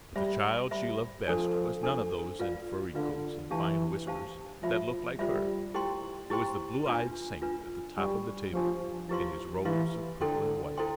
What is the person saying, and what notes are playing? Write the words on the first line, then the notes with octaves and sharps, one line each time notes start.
But the child she loved best was none of those in furry coats and fine whiskers that looked like her; it was the blue-eyed Saint at the top of the table in his robes of purple and white.
G3 C5 E5 B5
G3 C5 E5 B5
F3 D4 A4 C5
D4 A4 C5
F4 B4 D5 F5
D3 F4 B4 D5 F5
E3 D4 G4 C5 F5 A5
D4 G4 C5 F5 A5
F3 F4 C5 E5 B5
G3 F4 C5 E5 B5
E4 G4 C5 G5 C6
E4 G4 C5 G5 C6
D4 F4 B4
D4 F4 B4
G3 D4 G4 B4
F3 D4 G4 B4
F3 E4 G4 B4 F5 C6
E3 E4 G4 B4 F5 C6
D3 E4 A4 C5 G5 C6
E4 A4 C5 G5 C6